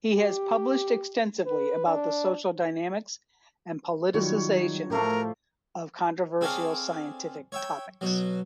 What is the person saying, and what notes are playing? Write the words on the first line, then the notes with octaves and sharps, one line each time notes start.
He has published extensively about the social dynamics and politicisation of controversial scientific topics.
G4
B4
D4
D#3 F#3 G3 F4 C#5
A2 F3 A3 G4 A#4
C4 G#4 A4 C#5 D5 F5
C#5 E5 G5
B2 F#3